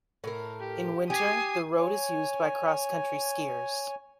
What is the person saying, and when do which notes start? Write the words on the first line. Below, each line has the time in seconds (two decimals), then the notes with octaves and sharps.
In winter, the road is used by cross-country skiers.
0.24 A2 A#4
0.60 G4
1.10 G4 G#5 D#6 C7
1.78 C#5 G#5